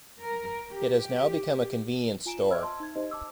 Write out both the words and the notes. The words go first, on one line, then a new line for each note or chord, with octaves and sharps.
It has now become a convenience store.
A#4
G4
F4 G#5 A#5 D7 E7
C5 D#5 E5 E6 F6 G#6
A5 C6
D#4 G#6
D#4 G4 C5 D#5
A5 D6 E6